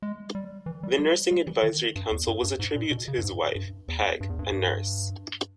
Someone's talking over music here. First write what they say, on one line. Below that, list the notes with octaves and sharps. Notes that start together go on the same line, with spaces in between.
The nursing advisory council was a tribute to his wife, Peg, a nurse.
G#3
G3
E3
G3
G3
G3
E3
D#3
G2
E2
G2
G2
G#2
A#2
B2
C#3
G2
G#2
G2
E2
G2
E2
G2
G2